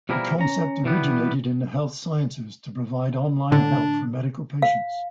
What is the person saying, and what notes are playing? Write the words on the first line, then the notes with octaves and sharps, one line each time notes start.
The concept originated in the health sciences to provide online help for medical patients.
B2 F3 G3 E4 G#4 A#4
C#4 A#5
B1 E3 G3 B3
A2 D3 D4
F5